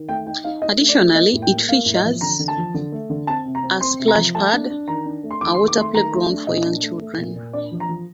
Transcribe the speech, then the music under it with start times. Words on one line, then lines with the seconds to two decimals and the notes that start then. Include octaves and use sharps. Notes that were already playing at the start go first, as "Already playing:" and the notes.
Additionally it features a "splash pad", a water playground for young children.
Already playing: D#3
0.09 A3 G5
0.27 D#4 G5
0.44 D#4 F5
0.62 D#4 D#5
0.80 A3
0.89 D5
0.98 A3
1.15 A#3 D#5
1.33 A2
1.42 G5
1.51 A#3
1.68 A#3 F5
1.86 A2
1.95 D#5
2.04 F3
2.21 D3 A#5
2.39 D3
2.48 A5
2.57 F3
2.74 D3
2.92 A3
3.10 D3
3.27 C4 A5
3.46 C3
3.55 A#5
3.63 C4
3.81 C4 C6
4.00 C3
4.08 A#5
4.16 F3
4.35 A3 A5
4.53 D4
4.70 D4
4.88 D#3 A#5
5.05 D4
5.23 A3
5.31 C6
5.41 D#3 D6
5.54 C6
5.59 D#3
5.68 D6
5.76 A3 C6
5.93 D#3 A#5
6.12 A3
6.30 D4
6.47 A#2 D#5
6.65 D4
6.83 A3
7.01 A3
7.18 A#2
7.36 A#2
7.53 D4 D5
7.72 F3
7.80 A#5
7.89 F3